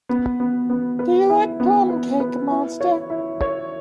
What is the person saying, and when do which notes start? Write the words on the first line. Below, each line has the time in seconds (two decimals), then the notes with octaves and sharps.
Do you like plum-cake, monster?
0.09 B3
0.40 B3
0.70 B3
0.99 B4
1.29 E4
1.60 B3
1.89 B4
2.20 B4
2.51 E4
2.81 C#5
3.10 E4
3.41 C#5